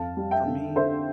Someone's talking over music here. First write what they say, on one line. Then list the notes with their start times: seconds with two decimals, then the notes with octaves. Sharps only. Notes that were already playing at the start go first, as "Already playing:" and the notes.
for me,
Already playing: F2 F5 A5
0.17 G3
0.31 E5 G5
0.47 D3
0.76 D3 C5 E5